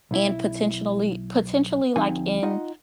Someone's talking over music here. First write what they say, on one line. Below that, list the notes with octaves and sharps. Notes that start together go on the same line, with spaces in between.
and potentially- potentially, like, in
B1 E4
D2 F3 C4 D#4 G4 G#5
D#4 F4 D#5 F#5